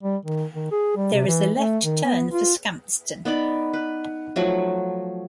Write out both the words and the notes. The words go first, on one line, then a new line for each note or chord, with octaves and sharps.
There is a left turn for Scampston.
G3
D#3
D#3
G#4
G3
C3
E3
A3
D#3
B3
F4
B3 D#4 D5 B5
B4
F3 F#3 A3